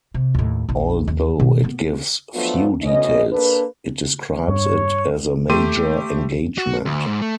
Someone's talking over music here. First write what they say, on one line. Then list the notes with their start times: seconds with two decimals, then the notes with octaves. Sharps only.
Although it gives few details, it describes it as a major engagement.
0.14 C3
0.34 D#2 A2
0.69 A#1 D#4
1.07 D#2
1.40 B2 D#3
1.64 A#3 B3
2.33 F3 F#3 A3 B3 D4 F4
2.82 D2 B2 C#4 D#5
3.31 A#3 D4 A4 B4
4.48 G2 C#5
5.49 A3 G4 C6 D#7
6.58 F#4
6.85 D2
7.07 G#2
7.21 A3